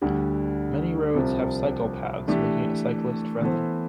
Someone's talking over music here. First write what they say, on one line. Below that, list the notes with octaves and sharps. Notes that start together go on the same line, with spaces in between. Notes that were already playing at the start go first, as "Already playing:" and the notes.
Many roads have cycle paths making it cyclist friendly.
D2 D3 G3
C2 C3 F3
E3 A3 D4 G4
E3 B3 E4 A4 C5